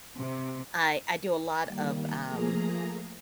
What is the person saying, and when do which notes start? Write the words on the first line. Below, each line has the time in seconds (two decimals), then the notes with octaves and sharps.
I I do a lot of, um,
0.18 C3
1.66 D#3 G3 A#3
2.26 F3 A3 A#3 G#4 A#5